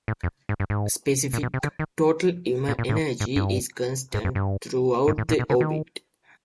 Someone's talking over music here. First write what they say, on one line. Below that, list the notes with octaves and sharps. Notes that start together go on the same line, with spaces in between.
Specific total energy is constant throughout the orbit.
A2
F2
G#2
G2
G#2
A#2
B2
C3
D3
D#3
A#2
A#2
A2
G#2
G2
G#2
F#2
G2
G#2
A2
A#2
B2
C#3
D#3